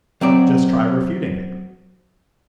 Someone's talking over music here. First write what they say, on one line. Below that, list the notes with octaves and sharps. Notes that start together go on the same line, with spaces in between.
Just try refuting it.
F#3 C4 D5